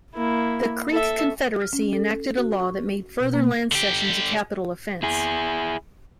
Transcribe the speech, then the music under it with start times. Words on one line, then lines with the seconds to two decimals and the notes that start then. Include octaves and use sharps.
The Creek Confederacy enacted a law that made further land cessions a capital offense.
0.15 A#3 E4
0.91 A4 E5
1.62 F6
1.73 C#4
1.93 A4
2.38 F#4
2.60 C#6
3.20 B2
3.34 A#3
3.72 D3 G4
5.03 E4 G#4